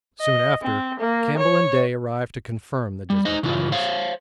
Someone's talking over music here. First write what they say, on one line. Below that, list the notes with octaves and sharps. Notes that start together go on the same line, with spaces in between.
Soon after Campbell and Day arrived to confirm the dismal tidings.
D#5
C4
A#3
C#5
G3
D#4 C5 D#5
C#3 E3 F4
C5 C#5 F5